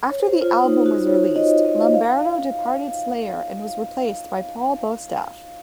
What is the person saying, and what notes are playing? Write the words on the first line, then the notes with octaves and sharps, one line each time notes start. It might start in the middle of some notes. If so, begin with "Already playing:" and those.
After the album was released, Lombardo departed Slayer and was replaced by Paul Bostaph.
C#5
C5
F4
D#4
F#4
C#5
D#5
D#5
F5